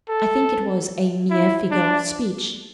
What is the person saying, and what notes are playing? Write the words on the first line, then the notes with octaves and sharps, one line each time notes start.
I think it was a mere figure of speech.
A4
E4
D4